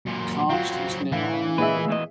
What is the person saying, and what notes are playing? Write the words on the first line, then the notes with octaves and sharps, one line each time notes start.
The cast is now unknown.
F#2 A#2
F#3 C4 F4 F#4
F#2 A2 D3 E3 F5
A#2 G#3 G#4 B4 E5
E2 E3 D#5